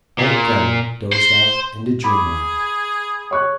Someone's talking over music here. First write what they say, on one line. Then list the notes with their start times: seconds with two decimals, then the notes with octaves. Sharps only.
Old Grammont dozed off into dreamland.
0.19 A#2
1.12 C5
2.04 G#4 B5 D6
3.31 C#5 C#6 F#6